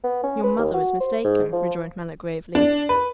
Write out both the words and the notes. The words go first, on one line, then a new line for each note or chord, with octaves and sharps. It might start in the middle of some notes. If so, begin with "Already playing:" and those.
"Your mother is mistaken," rejoined Mallow gravely.
B3
C#4
B4
D#2
F#4
C5
G#2
F3
D4
B4